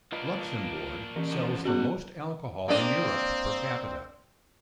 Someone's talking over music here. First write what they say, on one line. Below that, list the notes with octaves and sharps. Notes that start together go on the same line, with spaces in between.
Luxembourg sells the most alcohol in Europe per capita.
A#3 D4 F4 B4 D#5
E3 C#4 G4 A#4
D3 F3
C#3 B3 F#4 F#5
A#3 C4 D4 D#5